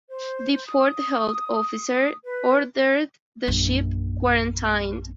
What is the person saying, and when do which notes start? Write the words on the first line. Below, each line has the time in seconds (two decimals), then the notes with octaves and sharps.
The port health officer ordered the ship quarantined.
0.10 C5
0.53 C5
0.68 D#6
2.24 B4
3.48 A#1 F#2